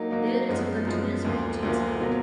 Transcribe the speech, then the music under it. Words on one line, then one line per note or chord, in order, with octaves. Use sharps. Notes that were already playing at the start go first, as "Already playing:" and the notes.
There is a continuous bench inside.
Already playing: F#3 A#3 D#4
F#3 A#3 D#4
F#2 F3 G#3 B3
F#2 F3 G#3 B3
D2 D3 F3 A#3
D2 D3 F3 A#3
B2 F#3 A#3